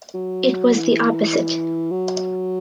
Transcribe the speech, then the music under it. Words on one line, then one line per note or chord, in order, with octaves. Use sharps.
It was the opposite.
F#3
E3
F#3